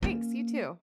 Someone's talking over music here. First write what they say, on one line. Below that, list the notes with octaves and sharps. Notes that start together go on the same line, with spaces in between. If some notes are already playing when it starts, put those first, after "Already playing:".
Thanks you too.
A#3 C#4